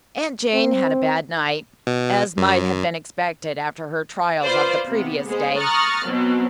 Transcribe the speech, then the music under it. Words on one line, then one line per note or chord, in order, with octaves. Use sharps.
Aunt Jane had a bad night, as might have been expected after her trials of the previous day.
C4
B2
F#2
F4 B4 C5 D5
C3 B3
G#3 B3 G#4 C5
A#5 C#6 D#6 F6 F#6 A6
B2 F#3 C4